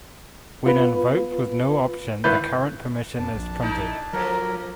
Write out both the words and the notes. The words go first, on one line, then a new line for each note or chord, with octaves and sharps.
When invoked with no option, the current permission is printed.
B3 F4 B4
G#1 E4 B4 G6
F2 D4 A5
A#1
A3 D#4 E4
F3 F#3 A#3 A4 A#4